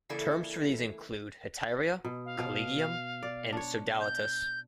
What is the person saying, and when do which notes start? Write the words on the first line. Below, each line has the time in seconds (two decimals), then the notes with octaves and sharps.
Terms for these include "hetaeria", "collegium", and "sodalitas".
0.09 C#3 E3 A#3 E4 A4 D5
2.04 B2
2.25 F5
2.38 B2
3.23 D5
3.52 D4 C#5
4.01 G6